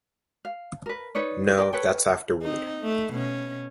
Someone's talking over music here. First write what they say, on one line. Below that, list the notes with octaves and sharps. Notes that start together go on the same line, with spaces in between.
No, that's afterward.
F5
A#4 B4
D#4 B4 C#5 D5
A#4 D5 D#5 G5
A4 B4 C#5 G5
C4 D#4
A3
B2 C#4